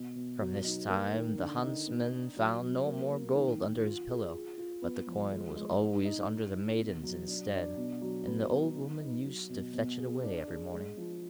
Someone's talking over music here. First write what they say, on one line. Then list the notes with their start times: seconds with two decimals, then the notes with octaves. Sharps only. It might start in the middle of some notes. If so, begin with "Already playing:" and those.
From this time the Huntsman found no more gold under his pillow; but the coin was always under the Maiden's instead, and the Old Woman used to fetch it away every morning.
Already playing: B2
0.15 B2
0.40 F#3
0.64 D#4
0.89 A#3
1.13 D#3
1.38 D3
1.63 D#4
1.87 B3
2.12 D4
2.36 F#3
2.61 F#3
2.86 A#3
3.10 A#3
3.35 D#3
3.60 D#3
3.84 F4
4.09 G#4
4.33 F4
4.58 F4
4.82 B3
5.07 F3
5.31 G#3
5.56 G#3
5.80 D#4
6.05 D#4
6.30 D#4
6.54 D#4
6.79 B2
7.03 F#3
7.28 D4
7.53 D4
7.77 B2
8.02 F#3
8.26 B3
8.51 B3
8.76 D#4
9.00 D#4
9.24 F#3
9.49 B2
9.73 B2
9.99 G#4
10.23 D4
10.48 G#4
10.73 G#3
10.97 F3